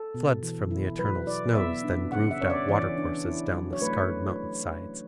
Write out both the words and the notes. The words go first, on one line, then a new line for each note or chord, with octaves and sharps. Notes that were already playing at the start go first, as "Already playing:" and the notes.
Floods from the eternal snows then grooved out watercourses down the scarred mountainsides.
Already playing: A4
B2
E3
E4
F#3 B4
E4 D5
B3 E5
D4
C#3 F#5
E5
C#4 C#5
D5
E3 D5
D4
E4
F#3
C#5
A3 B4